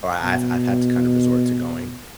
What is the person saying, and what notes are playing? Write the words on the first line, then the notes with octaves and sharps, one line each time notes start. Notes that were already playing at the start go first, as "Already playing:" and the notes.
or I've I've had to kind of resort to going,
B2